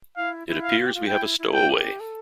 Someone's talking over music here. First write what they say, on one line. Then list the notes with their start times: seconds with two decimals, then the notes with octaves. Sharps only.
It appears we have a stowaway.
0.17 E4 F5
0.47 E4
0.63 F5
0.78 F4
0.87 G4
0.95 F4
1.08 E4 G5
1.39 E4
1.54 G5
1.69 G4
2.00 A4